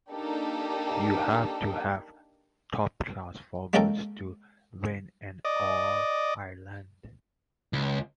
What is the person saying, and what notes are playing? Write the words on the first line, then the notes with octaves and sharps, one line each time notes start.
You have to have top class forwards to win an All Ireland.
A#3 D4 D#4 G4 A4
G#3 A#3 C#4 A4 A#4 G5
D5 D#5
C#2